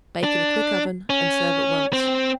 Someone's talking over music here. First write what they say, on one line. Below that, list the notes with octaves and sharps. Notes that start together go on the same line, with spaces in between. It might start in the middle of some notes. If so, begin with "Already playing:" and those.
Bake in a quick oven and serve at once.
D4
C#4
C4